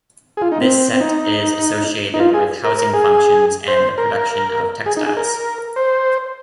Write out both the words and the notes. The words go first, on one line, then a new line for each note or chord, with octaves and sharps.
This set is associated with housing functions and the production of textiles.
G#4
F4
D#4
C4
C4
D#4
D#4
F4
G#4
A#4
A#4
G#4
C5
A#4
G#4
D#4
G#4
A#4
C5